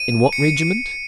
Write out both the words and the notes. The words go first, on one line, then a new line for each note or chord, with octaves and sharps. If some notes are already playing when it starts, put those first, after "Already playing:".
In what regiment?
Already playing: D#7
C#7